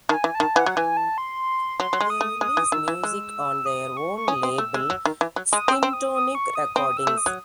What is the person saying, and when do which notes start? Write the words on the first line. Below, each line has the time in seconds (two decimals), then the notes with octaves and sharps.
They release music on their own label, Spintonic Recordings.
0.09 D#3 A5
0.14 G#5
0.24 E3
0.35 A5
0.40 D#3
0.56 E3 F#5
0.66 F#3
0.76 E3 G#5
0.97 A5
1.18 C6
1.79 F#3 C6
1.93 F#3
2.00 G#3
2.10 D#6
2.21 A3
2.41 G#3 D#6
2.57 E3
2.72 D#3 E6
2.88 E3
3.03 G#3
3.66 D#6
3.97 C#6
4.16 C#6
4.28 C#4 D#6
4.43 C4
4.58 A3 E6
4.74 G#3
4.90 F#3
5.05 D#3
5.21 E3
5.36 F#3
5.52 G#3 D#6
5.68 C4
5.73 E6
5.83 C4
5.93 D#6
6.14 D#6
6.35 C#6
6.55 D#6
6.76 C4 D#6
6.97 E6
7.07 A3
7.17 D#6
7.26 F#3